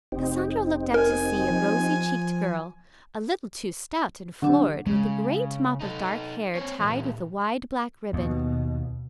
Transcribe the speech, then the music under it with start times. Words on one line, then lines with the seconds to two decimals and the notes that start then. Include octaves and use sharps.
Cassandra looked up to see a rosy-cheeked girl, a little too stout and florid, with a great mop of dark hair tied with a wide black ribbon.
0.12 F1 C4 D#4 G4
0.94 A#4 G#5
1.50 F3
4.42 D3 F#3 D4 G4
4.86 C#3 G#3
5.80 D#4 A4
6.55 C4 C#5
6.80 A#2 E3
8.13 D#2 B2